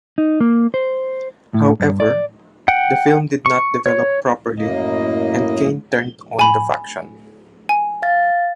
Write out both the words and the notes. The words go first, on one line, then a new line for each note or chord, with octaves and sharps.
However, the film did not develop properly, and Kane turned on the Faction.
D#4
A#3
C5
A2
G2
D5
F#5 G5
C#6
C#5
F#2 A2 A#3 D#5
G#5 B5
G#5
F5 A6